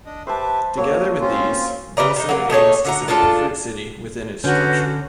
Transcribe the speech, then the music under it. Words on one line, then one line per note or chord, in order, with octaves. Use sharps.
Together with these, Gulsan aims to set up a fruit city within its structure.
D4 D#5
G4 B4 C5 E5 A5
F#3 A#3 C#5
C4 C#4 F4
C#3 B4 D5 A#5
C3 D#4
F#3 A#3
A3 D#4 G#4 C#5
D3 F#4 A#5
G#3 D4 F4 A4
D3 C#4 F#4 B4 G6